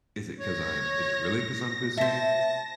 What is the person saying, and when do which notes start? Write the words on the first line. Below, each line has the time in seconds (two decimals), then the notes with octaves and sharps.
is it 'cause I'm is it really 'cause I'm busy,
0.39 C#5 A#6
1.97 C5 E5 A5